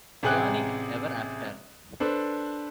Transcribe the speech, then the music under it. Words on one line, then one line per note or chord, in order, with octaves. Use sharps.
Bionic Ever After?
A1 C3 G#4 G5 F#6
D4 A4 B4 C5